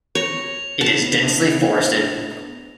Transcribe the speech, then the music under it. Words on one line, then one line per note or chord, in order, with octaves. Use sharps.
It is densely forested.
C#5 A#6 F7
B3 D4 A5